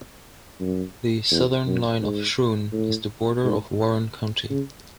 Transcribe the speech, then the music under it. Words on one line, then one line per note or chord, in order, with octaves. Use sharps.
The southern line of Schroon is the border of Warren County.
F#2
E2
F#2
G#2
A2
G#2
C#3